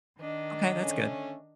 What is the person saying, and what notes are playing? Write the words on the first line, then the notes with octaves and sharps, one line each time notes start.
Okay, that's good.
D#3 D4 D#5
D3 A3 C#4